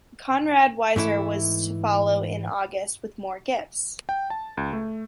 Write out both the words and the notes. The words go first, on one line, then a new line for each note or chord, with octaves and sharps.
Conrad Weiser was to follow in August with more gifts.
G#2 E3 A3 E4
G5
A5
C#2
A3